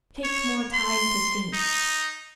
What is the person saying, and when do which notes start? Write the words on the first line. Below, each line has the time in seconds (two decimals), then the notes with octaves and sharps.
Take more time to think.
0.24 C#5
0.74 C6
1.53 D#4